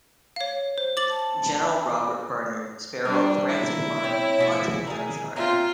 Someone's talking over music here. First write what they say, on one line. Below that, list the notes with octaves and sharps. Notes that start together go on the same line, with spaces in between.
General Robert Bernard Sparrow of Brampton Park, Huntingdonshire.
C#5 F5
C5
D6 A6 F#7
A5
B5
G3 D4 A#4
E4
C4 C#5
A3 F#4 G#4
G#4 A#4
C4 F4 E5 A#5